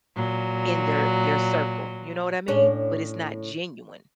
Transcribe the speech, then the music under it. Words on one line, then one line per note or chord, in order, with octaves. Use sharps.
in their their circle, you know what I mean? But it's not genuine.
A#2 F#3
A2 C#4 D4